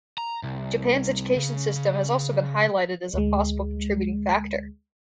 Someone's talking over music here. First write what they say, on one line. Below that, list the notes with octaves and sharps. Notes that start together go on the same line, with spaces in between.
Japan's education system has also been highlighted as a possible contributing factor.
A#5
C2
C#3
C#3
D2 G#3